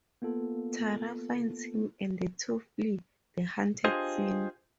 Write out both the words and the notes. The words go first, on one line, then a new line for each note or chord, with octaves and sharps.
Tara finds him and the two flee the haunted scene.
A#3 B3 F4 A4
D4 F4 G4 G#4 C5 D#5